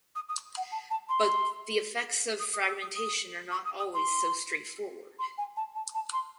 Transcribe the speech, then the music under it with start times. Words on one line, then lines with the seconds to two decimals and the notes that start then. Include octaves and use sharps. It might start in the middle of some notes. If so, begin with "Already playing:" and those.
But the effects of fragmentation are not always so straightforward.
0.15 D#6
0.29 D#6
0.57 F#5
0.71 A5
0.90 A5
1.09 C6
2.39 D#6
2.53 D#6
2.68 E6
2.81 D#6
2.95 D#6
3.51 C#6
3.65 D#6
3.79 D#6
3.94 C6
5.19 C6
5.37 G#5
5.56 A5
5.75 A5
5.94 A5
6.13 C6